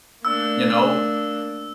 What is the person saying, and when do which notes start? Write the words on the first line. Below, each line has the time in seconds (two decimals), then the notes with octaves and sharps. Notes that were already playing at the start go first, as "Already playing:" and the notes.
you know,
0.25 A3 A#3 D4 E6